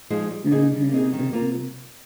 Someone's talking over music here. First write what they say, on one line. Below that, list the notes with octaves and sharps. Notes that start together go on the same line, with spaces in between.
Mhm, mhm.
F3 G#3 D#4 G#4
G3
A#3 D#4 G#4
G3
A#3 D#4 G#4
D#3
A#3 F4 A#4